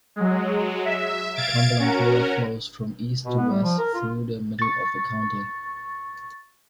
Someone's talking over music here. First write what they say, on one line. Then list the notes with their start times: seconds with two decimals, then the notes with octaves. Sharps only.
The Cumberland River flows from east to west through the middle of the county.
0.16 F#3 G#3
0.85 E5
1.36 F5 G#6 A6 D7
1.79 C#4 F#4 A#4
3.25 B2
3.38 B3
3.49 G3
3.63 F3
3.78 A#4
3.94 F4
4.59 C#6 A6